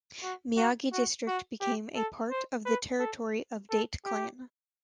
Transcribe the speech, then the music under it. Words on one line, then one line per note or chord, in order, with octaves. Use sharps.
Miyagi District became a part of the territory of Date clan.
F#4
F#4
F#4
F#4
G4
A4
C5
B4
A4
A4
G4